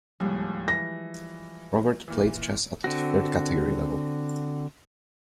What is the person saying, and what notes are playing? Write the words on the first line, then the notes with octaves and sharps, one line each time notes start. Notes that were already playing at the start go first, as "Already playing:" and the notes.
Rogard played chess at third category level.
D1 D#2 F3 G3 G#3
E3 A#6
A#2 E3
D3 C4 F#4